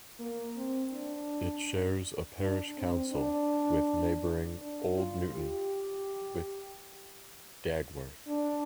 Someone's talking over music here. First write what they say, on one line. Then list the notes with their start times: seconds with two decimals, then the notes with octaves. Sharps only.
It shares a parish council with neighbouring Old Newton with Dagworth.
0.19 A#3
0.57 C4
0.93 D4
2.39 D4
2.77 C4
3.13 D4
4.61 D4
4.97 F4
5.34 G4
8.28 D4